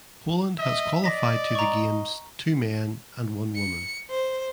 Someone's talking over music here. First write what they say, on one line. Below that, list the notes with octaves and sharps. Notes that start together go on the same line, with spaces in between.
Poland has qualified to the games two men and one woman.
D#5 E5
D5 D#5 A#6 B6
A#5 C#6
C#7
C5